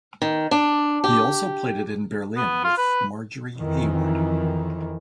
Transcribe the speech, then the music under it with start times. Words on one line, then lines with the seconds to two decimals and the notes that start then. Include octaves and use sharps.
He also played it in Berlin with Marjorie Hayward.
0.22 D#3
0.51 D4
1.04 G4
2.37 B3
2.64 F4
2.77 B4
3.58 F2 D#3 E3